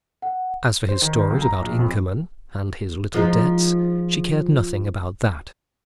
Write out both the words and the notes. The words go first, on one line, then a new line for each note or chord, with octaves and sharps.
As for his stories about Inkerman, and his little debts, she cared nothing about that.
F#5
C5
D#3
D#3
B1
A#5
A#1
F2
F3 G#3 D#4